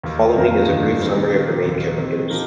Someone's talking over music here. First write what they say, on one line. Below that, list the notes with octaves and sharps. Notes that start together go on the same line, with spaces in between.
The following is a brief summary of the main characters.
D#2 D#3 A#3
F2 D#3 A#3 F4 A#4
G2 D#3 A#3 F4
D#3 G3 C4 D#4
D#3 C4 G4 A#4
D#2 D#3 A#3
C3 D#3 C4
F3 D#4 G4 A#4